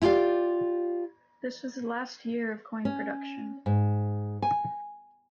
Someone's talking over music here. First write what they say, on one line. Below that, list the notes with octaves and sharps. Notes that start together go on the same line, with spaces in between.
This was the last year of coin production.
E4 F4 G4 D5 F5
C#4
G#2
G#5